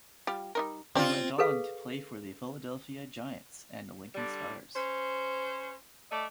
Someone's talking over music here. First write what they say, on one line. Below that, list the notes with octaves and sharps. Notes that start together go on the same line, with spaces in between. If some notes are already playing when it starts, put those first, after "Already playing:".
He went on to play for the Philadelphia Giants and Lincoln Stars.
G3 F4 G4
G3 D#4 A#4
C4 D4 F4 G4 D5
G#4 A4 B4 F5
D3 G3
C#4 C5
A3 D5 D#5